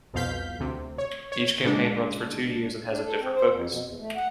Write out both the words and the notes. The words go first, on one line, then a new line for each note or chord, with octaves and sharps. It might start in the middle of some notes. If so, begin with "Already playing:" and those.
Each campaign runs for two years and has a different focus.
C2 F2 B2 F5 G6 B6
D2 C3
C#5
C#5
A#2 C#3 G#3 D4
D4
A4
C4
C5
F2
B2
E2
A3
F#5